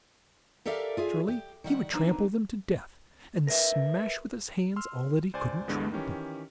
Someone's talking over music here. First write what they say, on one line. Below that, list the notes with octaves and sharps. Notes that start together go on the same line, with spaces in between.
Naturally he would trample them to death, and smash with his hands all that he couldn't trample.
G4 A4 A#4 D5 E5 F5
F4 G#4 E5
G4
D#3 G3 F#5
F#3 A#3 C4 D4 D#4 B4
A#4 B4 E5
C6 E6 F6
C#2 C5 D5 G#5
D2 G2 D3 E3 G#3 B3
D#3 E3 C#4 G4